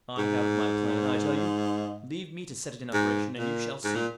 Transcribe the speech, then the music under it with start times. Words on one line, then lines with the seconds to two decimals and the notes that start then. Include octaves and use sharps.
"I have my plan, I tell you; leave me to set it in operation, and you shall see."
0.18 G#2
2.93 G#2
3.38 A#2
3.84 G#2
3.96 A#2